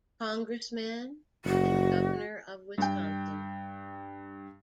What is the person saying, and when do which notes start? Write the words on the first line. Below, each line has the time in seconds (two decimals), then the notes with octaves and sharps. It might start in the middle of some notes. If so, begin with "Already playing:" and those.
Congressman and governor of Wisconsin.
1.45 F#1 F#4
2.78 G2 G5